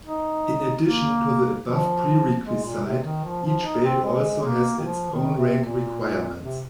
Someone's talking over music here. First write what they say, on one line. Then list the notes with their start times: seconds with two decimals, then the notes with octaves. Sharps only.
In addition to the above prerequisite, each belt also has its own rank requirements.
0.05 D#4
0.85 A#3
1.64 F3
2.44 G#3
2.64 A#2
2.84 C3
3.03 D#3
3.24 F3
3.44 F3
3.64 D#4
3.84 C4
4.03 G#3
4.43 A#3
4.78 D#3
4.83 F3
5.10 D#3
5.36 C3
5.63 A#2
6.42 C3